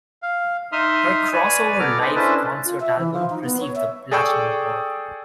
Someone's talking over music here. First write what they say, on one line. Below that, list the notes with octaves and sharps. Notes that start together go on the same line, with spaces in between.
Her Crossover Live Concert album received the Platinum Award.
F5
D#4 E5 C6 D#6 F6
B4 C#5 D5 G#5
B3 A4 A#5 D6 F6
D#4 G#4 B4 C5 D#5
C#4 D4 E4 A4 B4 C5
F4
E5
E3
F3
D#4
B3
C#5
E5
G#4 A4 D5 G5 C#6 E6